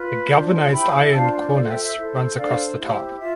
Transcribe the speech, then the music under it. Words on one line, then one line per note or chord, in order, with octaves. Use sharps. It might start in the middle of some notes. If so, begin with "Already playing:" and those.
A galvanized iron cornice runs across the top.
Already playing: F4 B4
D4 F4 C5
E4 G4 C5 G5 B5
D4 F4 C5 F5 A5
F4 A4 C5 D5 F5
E5 G5
E5
E4 A4 C5
D4 A4 C5 D5 F5
E4 G4 C5
F4 E5